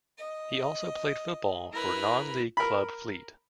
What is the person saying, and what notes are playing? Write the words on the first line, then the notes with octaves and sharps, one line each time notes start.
He also played football for non-League club Fleet.
D#5
E4 A#4 B4 A#5 B5
A#4 B5